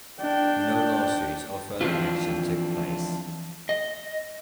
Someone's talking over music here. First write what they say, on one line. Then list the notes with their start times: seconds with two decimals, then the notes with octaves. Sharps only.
No lawsuits or further action took place.
0.19 D4 G5
1.81 E3 F3 C4 D4 E4 F4
3.69 D#5